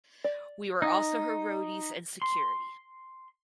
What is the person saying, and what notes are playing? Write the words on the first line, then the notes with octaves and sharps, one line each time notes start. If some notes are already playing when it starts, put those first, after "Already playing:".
We were also her roadies and security.
D5
D#4
C6